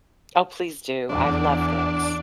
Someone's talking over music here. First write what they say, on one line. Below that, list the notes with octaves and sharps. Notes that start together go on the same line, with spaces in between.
Oh, please do, I love this.
E2 D4